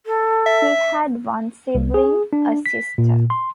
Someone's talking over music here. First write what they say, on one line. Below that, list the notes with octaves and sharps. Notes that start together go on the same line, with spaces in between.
He had one sibling, a sister.
A4
E5
C2
G#4
D4
B6
A#2
C6